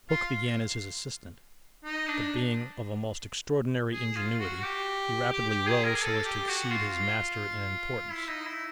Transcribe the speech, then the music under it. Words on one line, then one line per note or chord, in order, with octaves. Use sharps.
Hooke began as his assistant, but being of a most extraordinary ingenuity he rapidly rose so as to exceed his master in importance.
F4
D#4
D4
G#4
F4
F#4
G4
G4
G4
G#4
A#4
G#4
A4
G4
F#4
F4
E4
D#4
E4